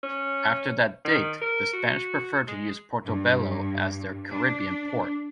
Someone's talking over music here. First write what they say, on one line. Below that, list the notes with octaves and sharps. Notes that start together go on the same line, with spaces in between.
After that date the Spanish preferred to use Portobelo as their Caribbean port.
C#4
D#3
A#4
F#4
G#3
G2
D4